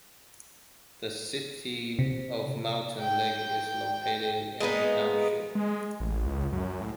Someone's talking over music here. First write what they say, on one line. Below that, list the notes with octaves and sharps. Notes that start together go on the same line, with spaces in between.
The city of Mountain Lake is located in the township.
C3
G5
G#3 A#3 B3 D#4
G#3
A1
C#2
F#2
A2